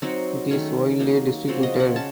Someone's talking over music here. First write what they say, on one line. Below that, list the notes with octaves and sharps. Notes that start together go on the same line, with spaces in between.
It is widely distributed.
F#3 C4 D#4 F#4
D#3 A3 C#4
F#3 A#3 D#4
C#3 F3 C4 F#4
D#5
F#5
C#4 A5